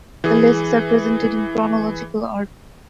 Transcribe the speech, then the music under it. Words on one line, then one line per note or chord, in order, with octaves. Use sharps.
The lists are presented in chronological order.
E3 G#4